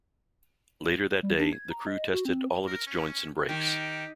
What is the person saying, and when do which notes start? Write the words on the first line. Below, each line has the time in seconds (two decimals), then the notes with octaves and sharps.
Later that day, the crew tested all of its joints and brakes.
1.23 G3
1.39 D4
1.53 G#6
1.70 A#5
1.87 D#5
2.13 F#4
2.25 C4
2.67 A#4
2.86 C#4
3.49 D#3 G4